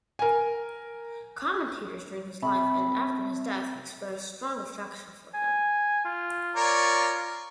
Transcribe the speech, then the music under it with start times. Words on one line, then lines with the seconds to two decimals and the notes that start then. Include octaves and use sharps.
Commentators during his life and after his death expressed strong affection for him.
0.19 A#4 G#5
2.42 C3 A5 B5 C#6
5.34 G#5
6.05 F4
6.56 A#4 C#5 D5